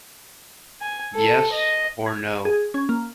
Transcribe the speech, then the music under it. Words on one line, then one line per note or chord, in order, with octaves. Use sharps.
Yes or No?
G#5
A4
D#5
G#6
G#4
C#4
A#3